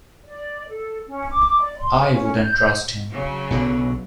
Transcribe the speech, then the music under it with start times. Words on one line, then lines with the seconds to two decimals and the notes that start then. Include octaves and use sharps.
I wouldn't trust him.
0.25 D5
0.69 A4
1.07 C#4
1.30 D6
1.60 D5
1.79 C6
2.09 C#4
2.45 G6
3.11 C#3 F#3
3.50 B1 B2 D3